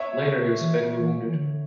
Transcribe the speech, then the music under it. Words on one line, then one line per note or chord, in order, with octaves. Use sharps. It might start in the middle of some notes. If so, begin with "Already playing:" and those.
Later he was fatally wounded.
Already playing: C#5 E5
C#3
E3
E3
E3
D3